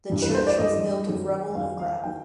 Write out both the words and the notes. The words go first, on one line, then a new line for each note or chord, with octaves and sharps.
The church was built of rubble and gravel.
G2 E3 G3
B4
C5
D5
G2 E3 G3 D#5
F#2 D#3 F#3
F#2 D#3 F#3 F5
F5
D#3 F#3 G5